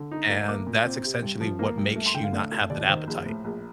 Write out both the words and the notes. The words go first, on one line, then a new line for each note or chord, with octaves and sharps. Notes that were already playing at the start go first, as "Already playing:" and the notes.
and that's essentially what makes you not have that appetite.
Already playing: D3
D#4
A3
A#3 D6
A#2
C4
C3
G2
F3
A#3
G2
A3
C6
D3 G5
F5
A2
A3
D#2 D5
D#3 C5
A#1
A2
A#1